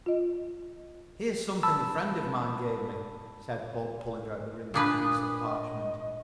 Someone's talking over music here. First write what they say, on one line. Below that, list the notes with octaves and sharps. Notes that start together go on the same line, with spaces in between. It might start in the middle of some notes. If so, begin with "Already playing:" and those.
"Here's something a friend of mine gave me," said Bob, pulling out the wrinkled piece of parchment.
F4 D#5
A5 B5 E6
A#2 D4 B4 D#6
D#5